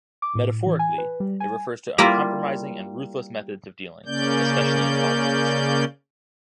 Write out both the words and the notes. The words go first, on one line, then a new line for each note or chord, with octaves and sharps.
Metaphorically, it refers to uncompromising and ruthless methods or dealings, especially in politics.
D6
A2
E3
G#5
B4
G3
G#5
G3 A#3 E4 F4 A#4
C#3 A#3 C#4 D5 G6